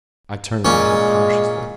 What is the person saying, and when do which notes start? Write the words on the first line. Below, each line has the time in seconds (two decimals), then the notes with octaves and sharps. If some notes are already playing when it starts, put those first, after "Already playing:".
I turned my head cautiously.
0.65 A#2 G#3 C#4